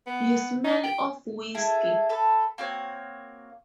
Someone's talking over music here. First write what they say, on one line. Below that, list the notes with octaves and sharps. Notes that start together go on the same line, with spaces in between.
You smell of whiskey.
B3
D#4
G5
E4 G#4 A4
A4 B4
A#3 C4 F#4 C#5